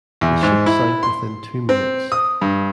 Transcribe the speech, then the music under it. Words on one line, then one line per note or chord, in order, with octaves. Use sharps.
The ship sank within two minutes.
E2
G#2
E4
C6
C4
D#6
G2